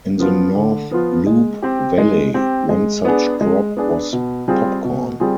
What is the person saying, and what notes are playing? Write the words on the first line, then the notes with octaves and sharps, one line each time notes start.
In the North Loup valley, one such crop was popcorn.
F3 B3 F4
D3
F3 B3 F4
G#3
C4 G4
G#3
C4 G4
G#3
B3 D4 G#4
G#3
B3 D4 G#4
B2
G3 C4 F4 G#4
B2
G3 C4 F4 G#4